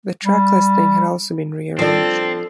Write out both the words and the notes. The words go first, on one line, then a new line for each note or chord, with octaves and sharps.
The track listing had also been rearranged.
G3
F3 C4 D4 A4